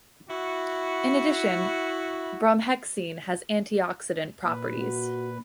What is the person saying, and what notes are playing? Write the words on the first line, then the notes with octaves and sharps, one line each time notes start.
In addition, bromhexine has antioxidant properties.
E4 F#4
A#2 B4
F#4